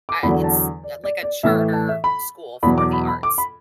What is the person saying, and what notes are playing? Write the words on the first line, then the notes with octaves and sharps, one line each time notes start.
uh, it's uh, like a charter school for the arts,
D6
E2 D3 F#3 B5
A5
D5
D5
D5
A2 E3 E5
E5
A5
E5
B5
E2 B2 F#3 B5
D6
B5
B5
D6
B5